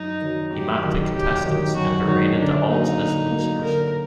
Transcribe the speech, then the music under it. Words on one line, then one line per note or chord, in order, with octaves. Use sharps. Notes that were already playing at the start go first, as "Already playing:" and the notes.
He mocked the contestants and berated the alts as "losers".
Already playing: F#2 D#4
D#3 F#3
F#2 G4
D#3 F#3
F#2 G4
D#3 F#3 G4
F#2 F#4
D#3 F#3 D#4
D3 D4
F#3 A#3 D#4
D3
F#3 A#3
D3 A#4